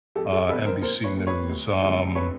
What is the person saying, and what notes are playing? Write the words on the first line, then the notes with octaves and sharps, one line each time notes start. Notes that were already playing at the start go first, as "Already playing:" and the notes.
uh, NBC News, um,
F2 G4 A4
G4 A4
D3 G3 B3 A4 B4
A#4 C5
A#2 A#4 C5
B4 C#5
G3 A#3
B4 C#5
D2
D3 F3 G#3 C4
B4 C#5